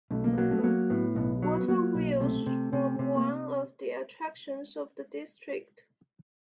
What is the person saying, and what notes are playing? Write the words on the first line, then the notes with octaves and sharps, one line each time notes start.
Water wheels form one of the attractions of the district.
B1 A3
A#3
B3
F#3 A#3
A3
B3
F#3 A#3
A2 B3
B1 B3
F#3
B3
F#3 A#3
B1
C3 A3
C3
C3
C3
A#3